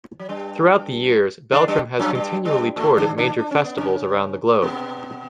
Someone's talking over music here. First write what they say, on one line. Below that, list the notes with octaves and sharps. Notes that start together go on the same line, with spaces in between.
Throughout the years, Beltram has continually toured at major festivals around the globe.
F#3
G2 G3
D3 D4
G2 G3
F#2 F#3
G2 G3
G2 G3
A2 A3
D3 D4
D3 D4
D4
C#4
B3
C#3 C#4
B2 B3